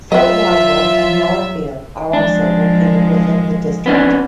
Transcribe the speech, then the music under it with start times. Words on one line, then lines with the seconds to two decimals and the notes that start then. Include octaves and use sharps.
Fort Wadsworth and Miller Field are also located within the district.
0.12 F#3 F4 B4 D#5 E5
2.13 F3 G#3 D4
3.86 B3 C#4 D4